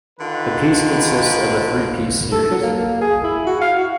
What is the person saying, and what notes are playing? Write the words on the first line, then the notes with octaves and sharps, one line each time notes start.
The piece consists of a three-piece series.
D3 D#3 F4 B4
A4
F#3
A#3
A#3
G#4
E4
F#4
F5
F#4